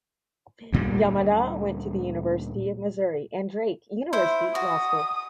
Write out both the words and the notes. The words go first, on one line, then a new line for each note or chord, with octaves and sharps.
Yamada went to the University of Missouri and Drake University Law School.
D2 A#2 G3
E4 C5
F#4 D#6